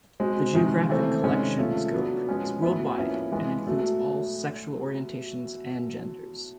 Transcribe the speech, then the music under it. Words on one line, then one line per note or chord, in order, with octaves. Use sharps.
The geographic collection scope is worldwide and includes all sexual orientations and genders.
B2 G#3 C4
C3 D#3 G#3
C#3 E3 A3 C4
C3 D#3 G#3 C#4
F3 A3 C#4 F4
F#3 B3 D4
F3 G#3 C#4 F4
A2 F#3 B3 E4
F3 A#3 C#4 E4
E3 G#3 B3
B2 F#3 A3